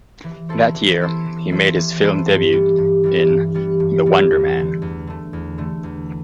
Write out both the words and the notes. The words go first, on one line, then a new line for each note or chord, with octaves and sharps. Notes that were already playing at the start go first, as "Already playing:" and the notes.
That year he made his film debut in "The Wonder Man".
E3
B3 E4 A4 C5
E3
B3 E4 A4 C5
E3
B3 E4 A4 C5
E3
B3 E4 A4 C5
G2
E3 G3 B3
G2
E3 G3 B3
G2
E3 G3 B3
G2
E3 G3 B3
E2
D3 A3
E2
D3 A3
E2
D3 A3
E2